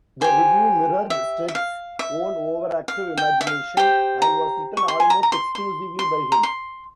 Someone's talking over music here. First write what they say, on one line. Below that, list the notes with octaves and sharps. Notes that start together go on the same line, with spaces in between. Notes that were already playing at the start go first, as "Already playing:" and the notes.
The "Review" mirrored Stead's own over-active imagination and was written almost exclusively by him.
G4 C5 G#5
E5
E5
F5
E5
F5
G5
E5
F5
G4 C5 G5
A#5
C#6
C6
G#5
A#5
A#5
C6
C6
C6
A#5
C6